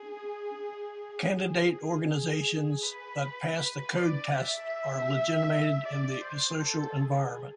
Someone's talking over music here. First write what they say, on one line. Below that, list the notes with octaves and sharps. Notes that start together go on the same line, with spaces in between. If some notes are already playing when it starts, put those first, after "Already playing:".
Candidate organizations that pass the code test are legitimated in the social environment.
Already playing: G#4
G#4
G#4
B4
B4
D5
E5
D5
C5
A4
G#4